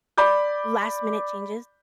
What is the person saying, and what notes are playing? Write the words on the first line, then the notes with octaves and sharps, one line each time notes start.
last minute changes,
D5 B5 D6 G6